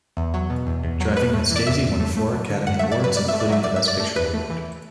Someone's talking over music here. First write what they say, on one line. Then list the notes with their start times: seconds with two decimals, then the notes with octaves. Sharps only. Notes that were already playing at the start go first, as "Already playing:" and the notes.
"Driving Miss Daisy" won four Academy Awards, including the Best Picture award.
0.17 E2
0.34 F#3
0.50 B2
0.67 E2
0.83 E2
1.00 F#3
1.17 E2 B4
1.33 A3
1.50 E3
1.56 D5
1.66 E2 E5
1.83 E2
2.00 A3
2.17 A3
2.33 F#3
2.50 D3
2.66 F#2 F#5
2.79 E5
2.83 A3
2.92 D5
3.00 F#3 B4
3.16 F#2 D5
3.28 A3 E5
3.40 D5
3.50 F#3 E5
3.64 F#2 D5
3.76 E5
3.83 F#2 D5
4.00 A3
4.16 E2 B4
4.34 A3
4.50 E3